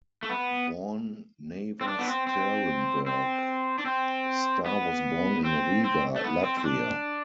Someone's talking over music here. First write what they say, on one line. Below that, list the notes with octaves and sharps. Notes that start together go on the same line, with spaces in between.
Born Nava Sterenberg, Starr was born in Riga, Latvia.
A3
B3
C4
D4
B3
C4
C4
C4
D4
C4
B3
C4
C4
A3
B3
C4
C4
D4